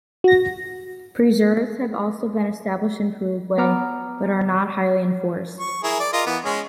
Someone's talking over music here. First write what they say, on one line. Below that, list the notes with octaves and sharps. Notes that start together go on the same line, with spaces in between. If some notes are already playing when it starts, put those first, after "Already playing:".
Preserves have also been established in Paraguay, but are not highly enforced.
F#4 A#6
B3 A#5 D6 F6
C#6
E4 G#4 A#4
D5
F4 A#4 D#5
E3 B3
G#3 C#4